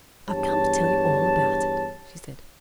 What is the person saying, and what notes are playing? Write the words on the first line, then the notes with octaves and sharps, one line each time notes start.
"I've come to tell you all about it," she said.
E2 G2 G4 C#5 A5